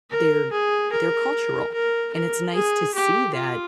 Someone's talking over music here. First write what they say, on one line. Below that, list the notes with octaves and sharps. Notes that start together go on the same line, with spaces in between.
they're they're cultural, and it's nice to see that
A#4
G#4
A#4
A#4
A#4
G#4
G4
F4